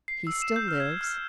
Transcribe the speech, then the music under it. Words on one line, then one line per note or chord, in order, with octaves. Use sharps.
"He still lives."
C7
E6
E7
G6
F6
G#6
F6